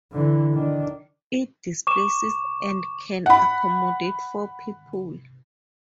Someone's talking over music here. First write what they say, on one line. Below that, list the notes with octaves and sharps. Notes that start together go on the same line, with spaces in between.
It displaces and can accommodate four people.
D3 E3
D#3 D4
C#6 D6 E7
F#5 B5